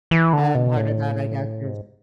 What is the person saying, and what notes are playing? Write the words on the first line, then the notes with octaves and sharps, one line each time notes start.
and part of that, I guess, is
E3
D3
B2
A2
G#2